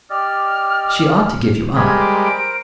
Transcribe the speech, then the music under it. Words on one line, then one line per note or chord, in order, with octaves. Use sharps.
She ought to give you up.
G4 D5 D#5 F6
G3 G#3 A#4 C5 A#5 B5 G#6
D6
D7